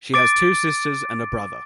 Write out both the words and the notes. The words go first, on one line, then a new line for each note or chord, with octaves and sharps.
She has two sisters and a brother.
D6 A6 D7